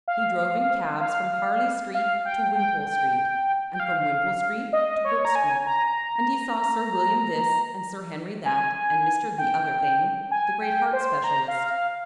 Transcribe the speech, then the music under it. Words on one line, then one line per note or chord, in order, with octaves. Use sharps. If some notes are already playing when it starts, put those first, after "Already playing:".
He drove in cabs from Harley Street to Wimpole Street, and from Wimpole Street to Brooke Street--and he saw Sir William this and Sir Henry that, and Mr. The-other-thing, the great heart specialist.
F5
F5
F5
G5
G5
G5
G5
F5
D#5
C#5
A#5
G#5
A#5
G#5
G5
G#5
G5
C5
A#5
F5
F5